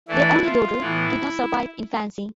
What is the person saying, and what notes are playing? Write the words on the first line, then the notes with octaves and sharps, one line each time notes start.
Their only daughter did not survive infancy.
E3 A3 D4 E4
F4
A2 E3 B3 E4